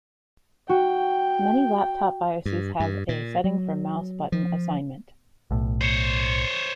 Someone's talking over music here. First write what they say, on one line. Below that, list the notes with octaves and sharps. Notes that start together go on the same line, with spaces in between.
Many laptop bioses have a setting for mouse button assignment.
F#4 G5
G2
G2
A#2
F#3
F3
B1 A2
C5 C#5